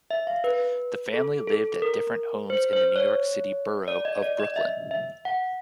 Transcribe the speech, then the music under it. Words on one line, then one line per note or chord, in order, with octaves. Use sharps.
The family lived at different homes in the New York City borough of Brooklyn.
E5
F5
B4
A4
A4
A#4
C5
C5
C#5
D5
D#5
D5
D#5
E5
E5
F#5